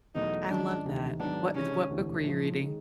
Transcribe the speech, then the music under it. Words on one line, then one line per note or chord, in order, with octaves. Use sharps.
I love that. What is what book were you reading?
E2 B2 F#3 A3 D#4
G#1 G#2 F3 G#3 C#4 D4
E1 D2 C3 D#3
G#2 D#3 F#3 B3 D4
C3 D#3 G#3 C#4
E1 D2 C3 E3
A#1 G#2 F3
D#3 G#3